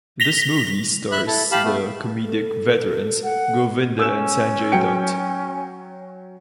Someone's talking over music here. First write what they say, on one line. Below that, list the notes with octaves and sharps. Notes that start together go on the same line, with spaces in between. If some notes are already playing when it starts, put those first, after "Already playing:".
This movie stars the comedic veterans Govinda and Sanjay Dutt.
A#6 B6 F7 G7
E5 B5 F#6
E4 A4
G4 F5 A5 B5
A3 B3
A4
F#5
C#4 E6 E7
F#3 G5 C#7